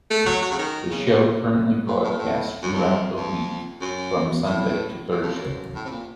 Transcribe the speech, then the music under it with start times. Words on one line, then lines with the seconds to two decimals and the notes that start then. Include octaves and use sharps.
The Show currently broadcasts throughout the week, from Sunday to Thursday.
0.10 A3
0.26 F#3
0.42 F#3
0.51 C#3
0.59 D#3
0.91 C#3
1.06 C3
1.87 A#2
2.04 A2
2.11 A#2
2.19 A2
2.63 F#2
2.73 F2
3.16 F2
3.81 F#2
4.45 A2
5.10 F#2
5.22 F2
5.35 F#2
5.75 A2
5.85 C3
5.91 A#2